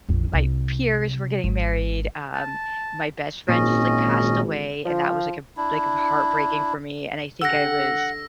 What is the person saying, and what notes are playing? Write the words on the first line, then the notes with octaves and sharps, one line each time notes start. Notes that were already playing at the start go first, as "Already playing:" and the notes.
my peers were getting married, um, my best friend just, like, passed away, and that was, like, a b heartbreaking for me. And I think I was,
A#1 F2
C2 C3
G#1
A5
G#1 A#2 C#4 D#5
F3
D4 E4
D3 E4 G4 F#5 E6 A#6